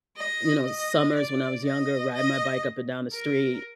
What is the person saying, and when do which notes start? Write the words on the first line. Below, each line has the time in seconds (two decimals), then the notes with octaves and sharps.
you know, s summers when I was younger, riding my bike up and down the street,
0.17 D#5
0.66 D#5
1.15 D5
1.64 D#5
2.14 D#5
3.13 A#4